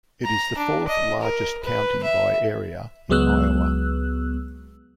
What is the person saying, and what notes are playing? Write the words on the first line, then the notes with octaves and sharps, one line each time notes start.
It is the fourth-largest county by area in Iowa.
A#5
D4
D#5
A#4
B4
E5
C#2 F#3 G#3 B3 E6 F#6